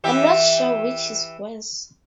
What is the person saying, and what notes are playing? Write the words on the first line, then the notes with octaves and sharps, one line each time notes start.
I'm not sure which is worse.
E3 G4 E5